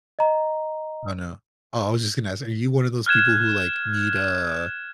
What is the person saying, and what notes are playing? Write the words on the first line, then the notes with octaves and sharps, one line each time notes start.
Oh, no. Oh, I was just gonna ask, are you one of those people who, like, need a
D#5 A#5
F6 F#6 G#6 E7